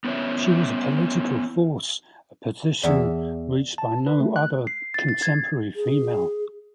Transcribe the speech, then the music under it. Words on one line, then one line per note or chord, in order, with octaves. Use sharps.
She was a political force, a position reached by no other contemporary female.
B3 C#4 E4 C#5 E5
E2 D5 E5
A5
B4
A3
F#6
C7
A6
A6
G#6
G#4